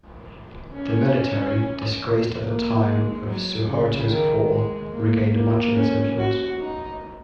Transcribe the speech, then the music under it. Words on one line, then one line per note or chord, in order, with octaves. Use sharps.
The military, disgraced at the time of Suharto's fall, regained much of its influence.
C#4
A#3
G#3
F#3
C#3
D#3
G#3
A#3
A#3
C#4
F#4
D#4